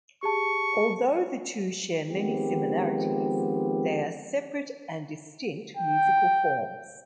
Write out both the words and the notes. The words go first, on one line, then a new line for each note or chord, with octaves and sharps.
Although the two share many similarities, they are separate and distinct musical forms.
G4 G#4 A5 C#6
D#3 F3 G#3 B3 C4 G4
G5